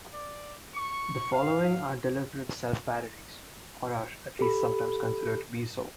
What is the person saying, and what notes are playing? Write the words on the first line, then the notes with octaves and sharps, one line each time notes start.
The following are deliberate self-parodies or are at least sometimes considered to be so.
D5
C#6
F5
G4 A4 B5